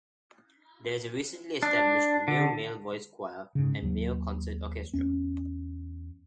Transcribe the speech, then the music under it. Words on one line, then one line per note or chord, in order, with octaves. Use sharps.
There is a recently established Mayo male voice choir and Mayo Concert Orchestra.
D4
D3
G#2 C#3
D#2 F#3
E2 C#4